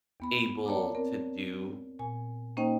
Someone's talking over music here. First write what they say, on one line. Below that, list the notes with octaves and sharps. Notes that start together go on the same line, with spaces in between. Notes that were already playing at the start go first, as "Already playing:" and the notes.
able to do
E2 B3 B5
C#5 D5 A5 A#5 D6
C4 A#4
A#2 G#5
A#3 C#4 D#4 C5 D#5 G5